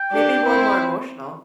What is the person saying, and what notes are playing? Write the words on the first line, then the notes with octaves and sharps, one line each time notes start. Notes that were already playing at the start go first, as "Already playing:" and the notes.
maybe we're more emotional.
Already playing: G5
D4 G4
C4 E4